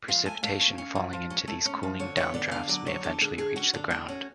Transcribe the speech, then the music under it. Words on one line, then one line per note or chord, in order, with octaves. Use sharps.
Precipitation falling into these cooling down drafts may eventually reach the ground.
F3 F5
A3 G#5
A3 F5
C#4
C#4
F3
F3
C#4
A3
C#4
F3
D3 C#5
B3 C#5
D3 D5
D3 F5
F#3 D5
D3 C#5
D3 A4
D3 G#4
A3 G#4
C#4 F#4
D3 D4
D3 D4
C#4 F#4